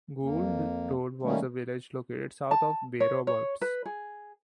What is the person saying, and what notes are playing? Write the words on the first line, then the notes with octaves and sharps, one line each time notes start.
Goulds Road was a village located south of Bay Roberts.
F2 A#3
D#3 G3 A3 A#3 C#4
A5
C#5
C#5
B4
G#4